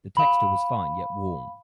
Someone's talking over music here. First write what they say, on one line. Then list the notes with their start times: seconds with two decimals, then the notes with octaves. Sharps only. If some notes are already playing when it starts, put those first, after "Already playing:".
The texture was fine yet warm.
0.17 F5 B5